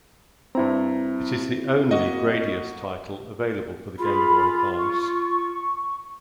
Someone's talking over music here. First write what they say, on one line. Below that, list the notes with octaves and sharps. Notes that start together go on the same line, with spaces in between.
It is the only "Gradius" title available for the Game Boy Advance.
G2 C4 E4 A#5
A#3 F#4 D#5
F4 G#4 B5
C#6